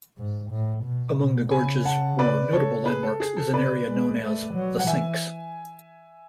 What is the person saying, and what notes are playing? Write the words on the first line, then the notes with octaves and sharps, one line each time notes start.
Among the gorge's more notable landmarks is an area known as The Sinks.
G#2
A2
B2
B2
C#3 G#5 B5
F#5 A5
B4 D5
A4 C#5
G#4 B4
A4
G#4
A4
C#3 B4 D5
G#3
A3
F#3
F#5
E3 E5 G#5